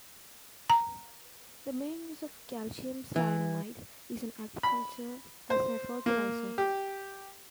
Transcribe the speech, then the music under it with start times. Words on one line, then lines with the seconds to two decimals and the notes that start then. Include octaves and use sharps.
The main use of calcium cyanamide is in agriculture as a fertilizer.
0.70 A#5
3.16 E3
4.63 B5
5.50 C5
6.06 A#3
6.58 G4